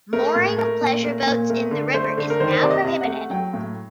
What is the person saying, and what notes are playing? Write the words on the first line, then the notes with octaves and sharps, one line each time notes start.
Mooring of pleasure boats in the river is now prohibited.
A3 A#4
A2
A3 A#4
A#2
A3 A#4
A#2
A3 A#4
D3
A3 C5
D3
A#4
D#3 C5
C5
C3 D5
D#5
C3
F#5
A3
F#3 G5
A2